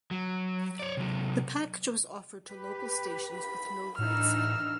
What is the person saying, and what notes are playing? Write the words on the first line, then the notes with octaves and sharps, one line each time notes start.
The package was offered to local stations with no rights fee.
F#3
C#5 D5
C3 F#3
G4 B4
B5
A2 E3 D4 D#4 E6 F6